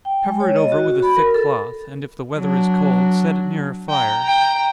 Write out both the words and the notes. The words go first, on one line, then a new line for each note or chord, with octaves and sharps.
Cover it over with a thick cloth, and if the weather is cold, set it near a fire.
G5
G#3
C#5
D#5
F#4
F#4
B5
A#4
A4
F#3 D4
G5 A#5
G5 A#5